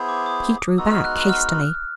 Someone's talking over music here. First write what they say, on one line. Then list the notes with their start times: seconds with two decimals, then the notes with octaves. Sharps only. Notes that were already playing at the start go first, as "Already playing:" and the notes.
She drew back hastily.
Already playing: B3 E4 G#4 C5
0.09 D6
0.26 D#6
0.78 G#3 B3 D#4 F#4 E6
0.91 F6
1.04 F#6
1.17 F#6
1.29 F6